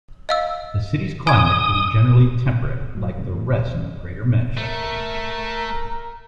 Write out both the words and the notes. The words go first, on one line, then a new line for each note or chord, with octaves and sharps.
The city's climate is generally temperate, like the rest of Greater Manchester.
D#5 F5 E6
G#5 D#6 G#6
A2 F#3
E2 G#2 C3
A1 F#2 A2 E3
B1 E2 C3
D2 G2 E3 C#4
A3 A#4